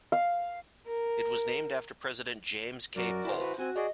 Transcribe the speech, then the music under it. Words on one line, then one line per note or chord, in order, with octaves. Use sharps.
It was named after President James K. Polk.
F5
A#4
F#2 F#4 A#4 D5
E4 C5
F#4 B4
C4 F#4 G#5
F#4 G#4 D5 D#5